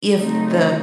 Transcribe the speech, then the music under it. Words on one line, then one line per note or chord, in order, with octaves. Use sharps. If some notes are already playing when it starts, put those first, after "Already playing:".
If the
C#3 F#3 A3 C4 D#4